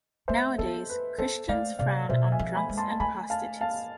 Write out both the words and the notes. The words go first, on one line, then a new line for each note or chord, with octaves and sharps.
Nowadays Christians frown on drunks and prostitutes.
A3 C5 E5
B3 A4
B4
B3 A4 C5
A3 D5 F5
C3 D5 F5
B2 C5 E5
E5 G#5
F3
G#5 B5
G#3
A5 C6
A5
A3 G#5 B5
F5 A5
F5 A5